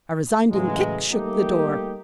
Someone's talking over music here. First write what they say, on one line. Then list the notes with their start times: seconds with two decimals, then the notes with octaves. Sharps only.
A resounding kick shook the door.
0.51 A2 C#3 E3 F#3 G#3
1.11 G3 A3 A#3 D#4 G4